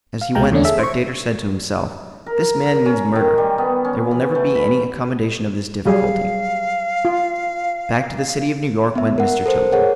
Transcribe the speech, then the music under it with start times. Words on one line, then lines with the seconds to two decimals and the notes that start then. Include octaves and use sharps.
As he went the spectator said to himself, "This man means murder; there will never be any accommodation of this difficulty." Back to the City of New York went Mr. Tilden.
0.21 F5
0.35 C#2 B2 G#3 F5 G5 A#5
0.52 E2 D3 A3 C#4 D4
0.65 G#4 A4 E5
0.79 C5 C#6
2.26 A#4
2.66 A#4
2.86 C#4
3.16 D#3
3.38 G3
3.58 B3
3.85 C#4
4.11 E3
4.35 A3
4.55 B5
5.86 F#3 G3 G#4 F5
7.05 F4
8.95 B3 E5
9.18 A#4 F#5
9.46 A4 A#4 C5
9.72 G#4 A#4 C#5 F#5